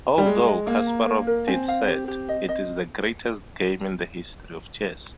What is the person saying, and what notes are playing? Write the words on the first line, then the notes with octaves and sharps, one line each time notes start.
Although Kasparov did said, It is the greatest game in the history of chess.
G3
G#3 G#4
D#5
A#3 G#4
A#5
A#4
A#4
C4 G#5
F5
G4
G4
D#5
D#5